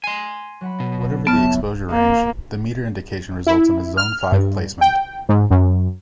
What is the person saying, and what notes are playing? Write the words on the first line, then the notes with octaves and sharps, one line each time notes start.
Whatever the exposure range, the meter indication results in a Zone Five placement.
G#5 C6 C7
F#3 F#5 B5
B2
G1 C#3 B3 E4 A5 F6
A#3
E4
F6
G2
G5
G#2
F#2